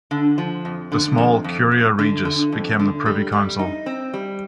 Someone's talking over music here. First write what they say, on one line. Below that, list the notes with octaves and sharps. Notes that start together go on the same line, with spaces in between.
The small "curia regis" became the Privy Council.
D3
F3
F2
D3
F2
F2
F2
D3
D3
F2
D3
G3
G3
D#4
C4
G3